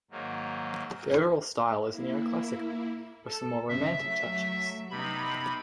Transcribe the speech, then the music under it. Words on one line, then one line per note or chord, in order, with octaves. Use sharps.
The overall style is neoclassical, with some more romantic touches.
G#2 D#3 F#3 A#3
A#3 E4
A4
F#2 C#3 E5
F#3 A3
C3 B3 D#4 B5